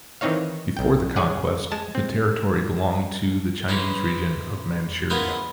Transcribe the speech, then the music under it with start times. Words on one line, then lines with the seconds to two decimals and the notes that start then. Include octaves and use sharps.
Before the conquest, the territory belonged to the Chinese region of Manchuria.
0.21 D#3 E3 C4 D#4 C#5 F5
0.77 B1 G5
1.16 C#4 G#4 D5 F#5
1.72 G#3 A5
1.95 C4
3.68 E3 G#3 C#4 D#4 E4
5.10 G#3 B3 E4 F4 A#4 D#5